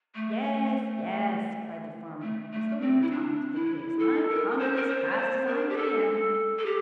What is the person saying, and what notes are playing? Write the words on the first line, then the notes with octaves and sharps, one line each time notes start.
"Yes, yes!" cried the farmer, as though he were talking to the pigs. "I'm coming as fast as I can."
A3
A3
A3
C4
E4
D4
E4
A4
A#4
C5
A#4
C5
D5
C5
A#4
G4
A4
A4
G4